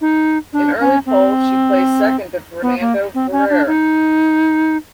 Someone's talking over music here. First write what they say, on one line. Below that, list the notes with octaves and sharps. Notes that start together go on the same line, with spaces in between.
In early polls, she placed second to Fernando Ferrer.
D#4
D4
C#4
C4
B3
A#3
C4
C#4
D4
D#4